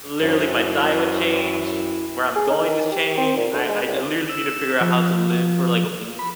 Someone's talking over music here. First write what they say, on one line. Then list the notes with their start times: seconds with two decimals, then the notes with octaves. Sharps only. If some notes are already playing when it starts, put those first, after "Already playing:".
Literally, my diet would change, where I'm going is change. I I literally need to figure out how to live for, like, a week,
0.21 F#2 E4 C5
2.36 G#4
2.50 D#4
2.64 D#3
2.92 G4
3.18 C4
3.37 A#2
3.53 D2
3.68 G#3
3.88 C2
4.29 E6
4.81 F3
6.19 B5